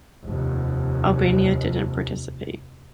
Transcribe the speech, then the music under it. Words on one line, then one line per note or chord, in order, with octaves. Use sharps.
Albania didn’t participate.
F1 D#2